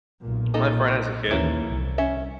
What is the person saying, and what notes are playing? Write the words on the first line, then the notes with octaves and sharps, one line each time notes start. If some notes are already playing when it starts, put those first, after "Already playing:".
My friend has a kid,
B1 A#2
A#3 D#4 A4
D#2 E3 F3 A#3 C#4 E4
C2
C#4 E5